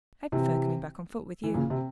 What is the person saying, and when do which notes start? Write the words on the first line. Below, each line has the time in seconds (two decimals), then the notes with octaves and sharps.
"I prefer coming back on foot with you."
0.32 C3 E3
1.44 E3
1.54 A#2 C#3
1.70 C3